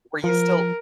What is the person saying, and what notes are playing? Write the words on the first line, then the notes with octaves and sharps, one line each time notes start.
were you still
F3 A#4